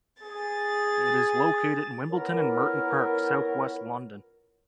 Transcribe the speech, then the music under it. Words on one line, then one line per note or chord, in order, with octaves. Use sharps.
It is located in Wimbledon and Merton Park, South West London.
G#4 A6
B3 C#4 E4 F4 A#4